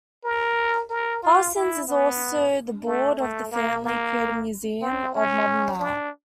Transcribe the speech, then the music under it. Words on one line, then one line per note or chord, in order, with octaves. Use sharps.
Parsons is also on the board of the family created Museum of Modern Art.
A#4
A#4
F4
E4
B3
A3
A3
A#3
A#3
C4
C#4
D4